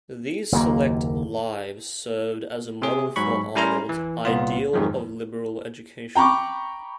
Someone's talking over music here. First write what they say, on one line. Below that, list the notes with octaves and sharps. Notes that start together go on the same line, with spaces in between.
These select "Lives" served as a model for Arnold's "ideal of liberal education".
F#1 D#2 A#3
C3 G#4
G#2 F#3 B5 C#6
G3 C#4 E4 A#4 A#5 C6
E3
C2 A#2 B3 F4
F2 G#2 D#3 F3 F#3
G5 A#5 B5 C#6 D6